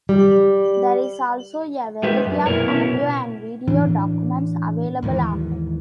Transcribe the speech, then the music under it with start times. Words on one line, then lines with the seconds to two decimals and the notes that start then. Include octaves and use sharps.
There is also a variety of audio and video documents available online.
0.09 G3
2.03 G#3 D#4 G4 B4 E5
2.26 F#2
2.46 B2 A#3 E4 A#4 C#5
2.67 B3 C#4 E4
2.81 B2
3.68 A2 E3 D4
5.03 D#2 G#2 D#3 E3